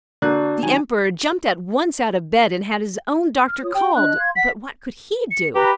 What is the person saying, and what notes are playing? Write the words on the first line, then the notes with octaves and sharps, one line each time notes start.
The Emperor jumped at once out of bed, and had his own doctor called; but what could he do?
D3 A#3 D4 F#4 D5 F#6
D#3 F#3 G#5
F6
F4 C#5 D#6
G4 G5
D4 D#5 F#6
F5 C6 G#6
F#5 B6
C#7
G4 B4 A#5